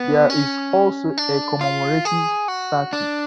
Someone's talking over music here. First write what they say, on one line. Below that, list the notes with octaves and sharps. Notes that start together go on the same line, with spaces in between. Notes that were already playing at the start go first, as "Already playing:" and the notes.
There is also a commemorative statue.
Already playing: B3
C#4
D4
F4
G#4
F#4
D4